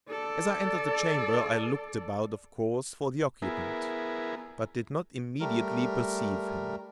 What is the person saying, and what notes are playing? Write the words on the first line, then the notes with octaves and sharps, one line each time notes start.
As I entered the chamber, I looked about, of course, for the occupant, but did not immediately perceive him.
A4 D5
B3 E4 G#4 A#4
G3 A3 A#4